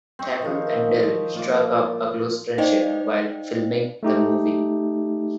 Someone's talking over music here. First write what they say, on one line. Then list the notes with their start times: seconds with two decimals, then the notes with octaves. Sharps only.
Temple and Dell struck up a close friendship while filming the movie.
0.19 C4 C5 C#5 D#5
0.42 D#3 F3
1.34 A#2 F4 D6
2.58 D#4 C5 D5 D#5 F5 G5
4.03 A3 D#4 G4